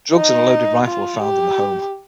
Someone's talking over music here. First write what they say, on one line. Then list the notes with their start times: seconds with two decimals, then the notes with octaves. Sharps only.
Drugs and a loaded rifle were found in the home.
0.15 D#4
0.85 F4
1.21 G4